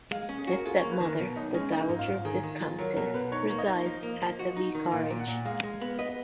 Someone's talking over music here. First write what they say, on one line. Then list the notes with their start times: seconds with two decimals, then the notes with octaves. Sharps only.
His stepmother, the Dowager Viscountess, resides at the vicarage.
0.11 G#3 F5
0.29 C#4
0.38 G#4
0.47 F#4 A#4
0.66 F4 G#4
0.78 A#3 C#5
0.92 B4
1.00 D#3
1.05 A#4
1.19 B2
1.36 B1 D#4
1.54 G#3 C#4
1.72 A#3 D#4
1.89 G#2
1.99 F4
2.08 G#2
2.25 D#3 G#4
2.43 D#3
2.61 F4
2.78 F#3 A#4
2.96 B2 A#4
3.14 B2 B4
3.32 D#4 C#5
3.50 A#3
3.58 D#5
3.67 D#4
3.86 F3
4.03 A#3
4.22 F3
4.39 F#4
4.57 D#4
4.75 D#3
4.92 A#2 F5
5.10 A#2
5.19 F#5
5.28 A#2
5.45 G#3 F5
5.63 G#3
5.81 B3
5.99 B4 D#5